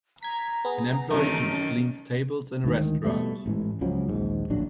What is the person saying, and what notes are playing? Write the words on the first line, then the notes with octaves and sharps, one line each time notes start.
An employee cleans tables in a restaurant.
A#5 G#6 B6
B3 G#4
F#2 C3 D#3 E3 A3
D2 G#2 D#3
B2 D3 G3 A3
A1 G#2 E3
C#2 C#3 F3 F#3
A#1 D#2 G#2
D1 A#1 F#3 D4